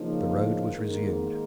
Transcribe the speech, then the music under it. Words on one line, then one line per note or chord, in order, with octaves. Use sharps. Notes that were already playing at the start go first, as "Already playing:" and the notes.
The road was resumed.
Already playing: C#3 F3 A#3 D#4
G#2 D#3 A#3